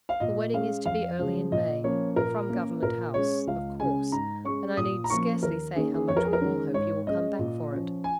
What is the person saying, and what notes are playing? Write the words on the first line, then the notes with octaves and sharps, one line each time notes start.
The wedding is to be early in May, from Government House, of course, and I need scarcely say how much we all hope you will come back for it.
F5
A#2 D#5
G#3 C#4 F5
F2 F5
C#3 F3 G#3
A#2 D#5
F3 A#3 C#4 C#5
A#2 A#4
A#3 C#4
A#2 A#4
G#3 C#4 C#5
C#2 F5
C#3 G#3 C#4 G#5
G#2 A#5
G#3 C#4 C#6
A#2 D#6
A#5
F3 A#3 C#4 C#6
D#2 A#4
D#3 A#3 C#4 G#4
G#4
F2 C#5
A#4
G#4
A#4
D#3 G#3 C#4
G#2 C#5
G#3 C#4 D#5
A#2
F3 C#4
G#5